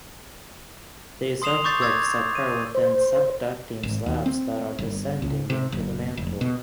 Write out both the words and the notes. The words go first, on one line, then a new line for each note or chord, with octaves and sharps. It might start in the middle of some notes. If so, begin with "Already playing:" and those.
These earthquakes occur within subducting slabs that are descending into the mantle.
C6 D#6 C7 E7 F7
C#6 D6 G6 A6 C7
C#6 D6 E6 G#6 A6 C7
D#7
C5
G#1
D#2
C4
G1
C#2
C3
F#1
F1
B2